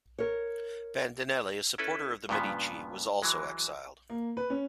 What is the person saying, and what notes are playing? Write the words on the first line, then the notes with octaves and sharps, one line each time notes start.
Bandinelli, a supporter of the Medici, was also exiled.
A#4 C#5
C#4 E4 A4 B4
G2 A#2 C#3 F3 B3
E3 F#3 G#3
A#3
B4
C#4